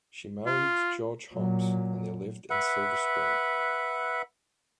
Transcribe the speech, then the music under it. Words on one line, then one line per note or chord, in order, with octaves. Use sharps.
She married George Hopps and they lived in Silver Spring.
F4
A#2 F#3
B4 E5 F#5